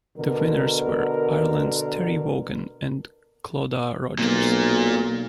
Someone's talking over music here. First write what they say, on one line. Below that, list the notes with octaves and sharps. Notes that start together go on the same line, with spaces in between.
The winners were Ireland's Terry Wogan and Clodagh Rodgers.
B2 D3 A#4
B1 A#2 A#3